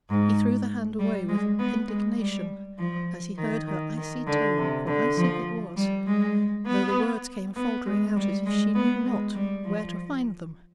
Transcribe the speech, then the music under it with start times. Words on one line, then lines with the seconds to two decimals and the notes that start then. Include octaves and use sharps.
He threw the hand away with indignation, as he heard her icy tone; for icy it was, though the words came faltering out, as if she knew not where to find them.
0.10 G#2
0.99 G3
1.29 G#3
1.59 B3
1.88 G#3
2.18 G3
2.78 F3
3.37 D#3
3.68 D#3
3.97 D#3
4.27 D3
4.58 C3
4.87 D3
5.17 F3
5.76 G3
6.07 G#3
6.66 B3
7.56 B3
7.86 G#3
8.16 G3
8.46 G#3
8.75 B3
9.05 G#3
9.35 G3
9.65 F3